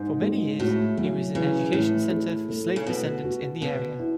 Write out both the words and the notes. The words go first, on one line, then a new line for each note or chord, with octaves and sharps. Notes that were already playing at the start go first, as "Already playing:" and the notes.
For many years, it was an education center for slave descendants in the area.
Already playing: G#2
G#3
A2 F#4
C#3 F#3
C#3 E3
A2 E3
G#4
A3
C#3
B2 B3
F#4
B2 B3
E4